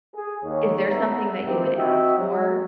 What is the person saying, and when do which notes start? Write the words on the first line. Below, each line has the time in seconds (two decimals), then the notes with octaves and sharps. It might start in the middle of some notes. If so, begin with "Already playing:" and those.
is there something that you would ask for,
0.15 G#4
0.44 D#2 C#5
0.88 B3 E5 A#5
1.45 G#2 D#3 E3 A#3 C4 G4
1.76 C4 D#4 F#4 D#5 E5 G5
2.18 F#3